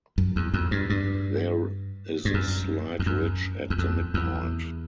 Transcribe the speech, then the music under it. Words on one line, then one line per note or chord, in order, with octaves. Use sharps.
There is a slight ridge at the midpoint.
F#2
E2
F2
G2
G2
G2
F#2
F2
F#2
E2
F2
E2